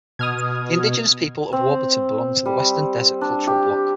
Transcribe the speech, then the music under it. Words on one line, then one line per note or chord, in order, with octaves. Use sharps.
The Indigenous people of Warburton belong to the Western Desert Cultural Bloc.
B2 D#6 F6 G#6
C4
G3
D4
G4